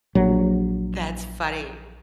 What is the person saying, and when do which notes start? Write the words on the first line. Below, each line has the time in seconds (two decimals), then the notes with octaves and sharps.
That's funny.
0.15 A#1 F#3